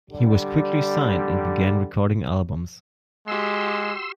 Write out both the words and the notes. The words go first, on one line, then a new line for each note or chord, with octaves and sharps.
He was quickly signed and began recording albums.
D3 G3
G#3 F#4 G4 C6 E6